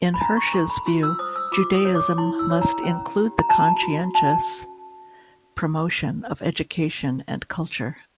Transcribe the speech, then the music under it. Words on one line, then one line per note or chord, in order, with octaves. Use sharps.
In Hirsch's view, Judaism must "include the conscientious promotion of education and culture".
B5
D4 A#5
C#6
A4 C6
B5
F4 C6
E6
C5 D#6
E6
F4 D6
D#6
C#5
D6
E4 C6
E6
C#5
A#5
C#4
G4
A#5
F#4 A5
F#4
C#4 A5